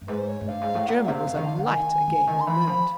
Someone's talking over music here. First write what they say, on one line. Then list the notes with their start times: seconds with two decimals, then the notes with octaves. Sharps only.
The German was alight again in a moment.
0.01 G2
0.07 G#2 B4
0.19 C5
0.28 C#5
0.41 G#2
0.48 G2 F5
0.61 G#2
0.75 A2
0.87 A#2 F#5
0.97 F5
1.06 C3 E5
1.14 F5
1.27 D3
1.36 D#3
1.44 D3
1.58 D3
1.67 D#3 G#5
2.07 D3
2.27 D#3
2.41 C6
2.47 E3 B5
2.67 F3